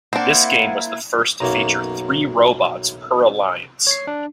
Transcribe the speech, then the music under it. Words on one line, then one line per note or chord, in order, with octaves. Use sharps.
This game was the first to feature three robots per alliance.
A#3 C4 D4 F#5
E4
B1 F#2 A#3 F#4 A#5
C#5 C7
D4